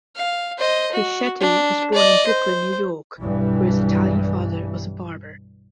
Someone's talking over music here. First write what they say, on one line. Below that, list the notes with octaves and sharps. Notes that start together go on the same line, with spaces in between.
Fischetti was born in Brooklyn, New York, where his Italian father was a barber.
F5
C5 D#5
F#4
D4
D5 D#5
C5
B1 G2 E3